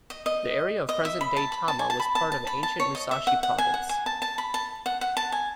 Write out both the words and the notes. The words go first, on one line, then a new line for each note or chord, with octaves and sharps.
The area of present-day Tama was part of ancient Musashi Province.
D#5
D#5
D#5
E5
B5
A5
B5
A5
G#5
A5
B5
A5
A5
B5
A5
C#5
D#5
E5
F#5
F#5
G#5
F#5
G#5
A5
A5
B5
A5
F#5
F#5
A5
G#5